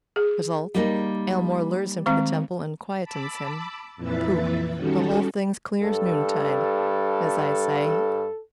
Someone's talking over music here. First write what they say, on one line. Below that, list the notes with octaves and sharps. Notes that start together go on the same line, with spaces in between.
Result--Aylmore lures him to the Temple and quiets him. Pooh!--the whole thing's clear as noontide, as I say.
G#4
G3 A#3 D#4
D#3 G#3 C4
A5 B5 D6 E6
F2 A#2 E3 B4 E5 A6
D#3 G3 C#4 F#4 A4
G2 A4